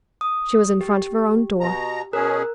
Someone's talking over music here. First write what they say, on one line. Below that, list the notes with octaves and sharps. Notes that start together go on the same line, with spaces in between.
She was in front of her own door.
D#6
G4
B2 A#5
B2 C#4 G#4 A#4 F#6